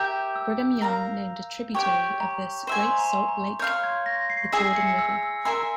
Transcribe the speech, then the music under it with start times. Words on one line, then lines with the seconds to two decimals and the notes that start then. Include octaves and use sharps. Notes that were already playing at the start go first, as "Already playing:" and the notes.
Brigham Young named a tributary of the Great Salt Lake the "Jordan River".
Already playing: G4 A#4 E5 G6
0.36 E6
0.82 A#4 F5 A#5
1.74 G4 C#5 G5 C#6
2.20 A#5
2.67 C5 E5 G#5 C6
2.98 A#5
3.29 A#5
3.59 C#5 F5 C6 G6
3.84 G#6
4.06 A#6
4.30 C7
4.52 G#4 E5 G#5 C#6 C7
4.76 C#7
4.99 E6
5.23 E6
5.45 A#4 E5 G#5 C6 E6